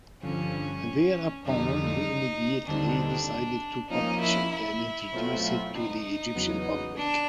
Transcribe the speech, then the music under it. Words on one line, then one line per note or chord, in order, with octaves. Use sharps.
Thereupon, he immediately decided to publish it and introduce it to the Egyptian public.
G2 D3 F3 C#4
F2 D3 G3 D#4
D#2 D3 G3 C4 D4 D#4
F3 A#3 C#4 D#4
E4
E4
B2 F#3 A3 C4 F4
D#4
E2 C#3 F#3 B3
D4